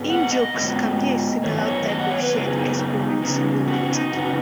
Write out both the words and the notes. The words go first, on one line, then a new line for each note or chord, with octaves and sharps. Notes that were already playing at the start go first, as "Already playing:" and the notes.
In-jokes can be a similar type of shared-experience shibboleth.
Already playing: G#2 G#3 B3
F#5
D#5
G#2 D#3 B3
F#2 D#3 F#3 B3 C#5
C#5
D#5
F#5
C#5
B4
F#2 C#3 B3 G#4
D#4
C#3 B3
F#4
D#4
F#2 C#3 B3 F#4